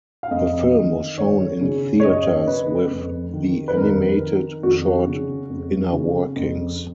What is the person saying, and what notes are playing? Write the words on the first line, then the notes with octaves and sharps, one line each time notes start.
The film was shown in theaters with the animated short "Inner Workings".
F5
F2 D#5
D#3
F#2 C#5
C#3
C#5
F#2 D#5
C#3 B4
F2
D#3
B4
F2 A#4
D#3
F2 F#4
C#3
F2
C#3
F2